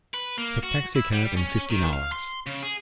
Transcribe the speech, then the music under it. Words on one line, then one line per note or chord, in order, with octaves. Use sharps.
Take taxicab and fifty dollars.
B4
A#3
F#4
E4
G3
C#4
D#3
F5
C6
C#3
G#4